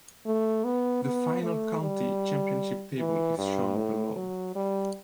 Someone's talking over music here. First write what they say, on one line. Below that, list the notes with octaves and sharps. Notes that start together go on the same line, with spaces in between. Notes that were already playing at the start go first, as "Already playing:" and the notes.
The final County Championship table is shown below.
A3
B3
B3
A3
G3
E3
G2
A2
F#3
G3